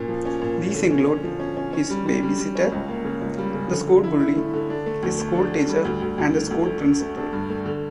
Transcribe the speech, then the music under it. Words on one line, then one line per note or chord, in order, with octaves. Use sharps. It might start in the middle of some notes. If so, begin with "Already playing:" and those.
These include his babysitter, the school bully, his school teacher and the school principal.
Already playing: A#2 C#4
F3
C#4
A#2
A#2
D3
C#4
C#4
F3
C#4
C#4
C#4
G3
G3
G3
G3
C#4
C#2
A#3
C#3
C#2
G3
C#3
D3
D3
E4
E4
A3
D3
D4
A3
D2
A3
D4
D3
G3
D2
D2
D2
D3
D2
A3
A3
A3
D4
G2
A3
D3